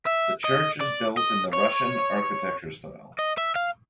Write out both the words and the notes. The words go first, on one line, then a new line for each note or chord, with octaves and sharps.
The church is built in the Russian architecture style.
E5
D#5
D5
D#5
C#5
D#5
E5
F5